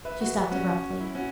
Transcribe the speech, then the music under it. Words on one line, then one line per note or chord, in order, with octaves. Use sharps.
She stopped abruptly.
B4 E5
F#4 B4
C#4 F#4
E4
C#4 F#4